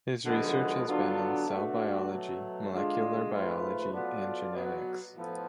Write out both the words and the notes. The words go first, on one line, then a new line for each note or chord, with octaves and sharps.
His research has been in cell biology, molecular biology, and genetics.
F#2 D3 F3 G#3 B3
D3 F#3 B3 D4 F4
B2 A3 D4 F#4
B2 F#3 A3
D3 G#3 D4 F4 G#4
G#2 F3 A3 F4 B4
F#3 B3 F4 A4 D5
B2 F#3 B3 F#4
A2 F3 B3 F4 A4